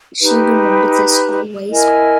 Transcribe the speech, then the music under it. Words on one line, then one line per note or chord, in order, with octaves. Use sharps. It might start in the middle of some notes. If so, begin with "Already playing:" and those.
She remembered this always.
D#4 G4 B4
E4 A#4 D#5 G#5